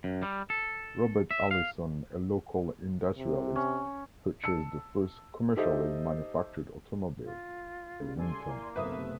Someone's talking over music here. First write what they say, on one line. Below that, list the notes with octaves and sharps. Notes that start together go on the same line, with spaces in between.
Robert Allison a local industrialist, purchased the first commercially manufactured automobile, a Winton.
F#2
G3
A4
E5
F5
C3
C#4
A5 E6 C#7
D#4 G4 A4 C5 D#5 E5
F4
C#3 G3
A4 D5 G#5 C6
A#3 E4
F#1 B1 C3 A3 B3 B4 E5 D#6